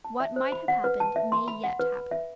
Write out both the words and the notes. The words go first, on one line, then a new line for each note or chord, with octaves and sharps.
What might have happened may yet happen.
A5
E5
C5
B5
F#5
B4
A5
E5
C6
B5
F#5
B4
B5
E5